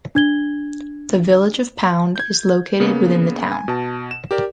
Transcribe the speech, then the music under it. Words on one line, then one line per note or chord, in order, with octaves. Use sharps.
The Village of Pound is located within the town.
D4 G#6 G7
G6 G#6
C#3 A#3 B3
G#5
B2 A5
E7
G4 A#4 D5